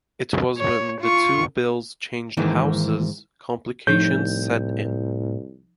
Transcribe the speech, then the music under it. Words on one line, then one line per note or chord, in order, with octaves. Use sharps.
It was when the two bills changed houses, complications set in.
C#5
F4 C#6
G#2 D#3 E3 A#3
C2 A2 F3 D#4 G6